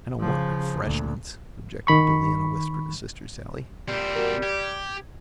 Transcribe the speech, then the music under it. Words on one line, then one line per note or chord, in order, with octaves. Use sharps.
"I don't want refreshments," objected Billie, in a whisper to Sister Sallie.
C#3 F3
D2 A#2
D#3 B5 C#6
A#2 G3 C4
F#4 A#4
G4 G#6